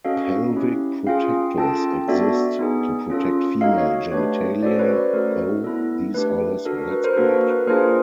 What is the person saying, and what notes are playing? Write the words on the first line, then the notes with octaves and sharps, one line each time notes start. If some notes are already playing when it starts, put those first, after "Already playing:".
Pelvic protectors exist to protect female genitalia, though these are less widespread.
C#4 F#4 A4 D#5 F5
C#4 E4 G4
C#4 F4 G#4 F5 G5
C#4 F4 A4 G5 A5
B3 D4 F#4 A4 D5 E5
B3 D#4 G#4
C#4 F4 A4
A#3 D#4 F#4 A4 D#5 F5
C#5 D#5
A3 D4 G4 B4 C#5
C#4 F#4 A4 C5 D5
B4 C#5
C5 D5
A3 C#4 F#4 A4 A#4
B3 E4 A4
A3 D4 G4 B4
D4 F#4 A4 A#4
A#4
B4
A#4 C5
A#3 D4 F#4 A4 B4
A#4
B4
A#3 D4 F4 G#4 A#4 C5